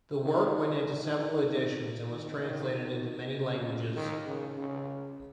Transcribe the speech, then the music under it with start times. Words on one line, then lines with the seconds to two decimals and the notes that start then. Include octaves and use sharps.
The work went into several editions and was translated into many languages.
0.22 D#3
0.84 D#3
2.08 D#3
3.33 C#3
3.95 D#3
4.26 C#3
4.57 C#3